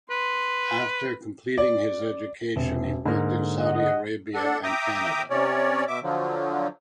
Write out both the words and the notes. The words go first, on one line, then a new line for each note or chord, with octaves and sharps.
After completing his education he worked in Saudia Arabia and Canada.
B4 C6
D5
E1 C3
G#2 D3 A#3
D#5 F#5
D4 A4 F#5
E5 G5 A#5 D6 D#6
C3 C#4 C#5 D5
B2 E5 D6
D3 F3 F#3